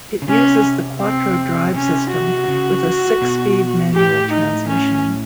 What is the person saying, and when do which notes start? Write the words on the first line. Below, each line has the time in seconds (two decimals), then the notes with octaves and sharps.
It uses the quattro drive system with a six-speed manual transmission.
0.22 C#3
0.28 C3 C#4
1.01 C4
1.74 C3 C#4
2.12 F#4
2.48 C#3
3.22 B2
3.94 A2 G4
4.31 D#4
4.68 C#4